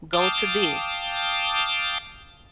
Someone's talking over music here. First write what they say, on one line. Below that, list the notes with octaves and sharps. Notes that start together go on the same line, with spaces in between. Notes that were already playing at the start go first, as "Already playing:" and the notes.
"Go to this,
F5 G5 A5 D6 D#6